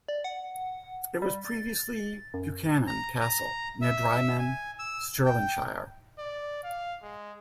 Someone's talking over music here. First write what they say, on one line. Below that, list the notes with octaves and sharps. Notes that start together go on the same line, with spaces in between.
It was previously Buchanan Castle, near Drymen, Stirlingshire.
D5
F#5
G3
A6
F#2
A#5
A#5
E5
G#5
E6
G5
D5
F5
G#3